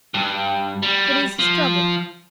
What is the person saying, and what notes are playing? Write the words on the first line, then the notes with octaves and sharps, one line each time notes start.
'That is his trouble.
G2
G3
F3